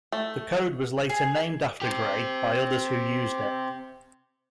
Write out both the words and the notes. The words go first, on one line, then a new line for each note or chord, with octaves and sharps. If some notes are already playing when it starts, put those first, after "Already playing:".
The code was later named after Gray by others who used it.
A3
G#4
C4 G4